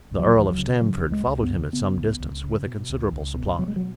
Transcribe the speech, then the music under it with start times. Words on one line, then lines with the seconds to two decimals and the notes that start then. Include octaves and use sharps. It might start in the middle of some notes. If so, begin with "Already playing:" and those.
The earl of Stamford followed him at some distance With a considerable supply.
0.11 C#2
0.19 F#3
0.35 C#2 E3
0.50 F#3
0.58 C#3
0.80 C#3 F#3
1.04 C#2
1.12 G#3
1.27 C#2
1.43 B3
1.50 C#3
1.73 C#3 B3
1.97 C#2
2.20 C#2
2.44 C#3
2.66 B2
2.90 C#2
3.13 C#2
3.35 B2
3.59 B2 F#3
3.68 G#3
3.76 F#3